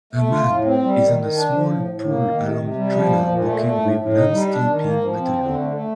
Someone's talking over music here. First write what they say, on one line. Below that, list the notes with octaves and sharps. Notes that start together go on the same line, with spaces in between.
A man is on a small pull along trailer working with landscaping material.
A3
F4
A2
C4
G3
D#3
D#3
D4
F3
A2
A2
A#3
D#3
C3
C3
G3
F3
A#2
A#2
A3
A3
A2
A2
D#4
G3
D4
D#3
A#3
F3
C4
D3
A3
A3